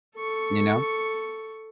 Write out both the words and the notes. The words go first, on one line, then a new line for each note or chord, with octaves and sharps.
you know?
A4 C#6